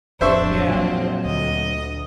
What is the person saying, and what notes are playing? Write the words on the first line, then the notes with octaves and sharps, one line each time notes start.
Yeah, yeah.
D1 F2 D4 C5 E5 C#6
A#2 F3 F#3 C4
D2 D#5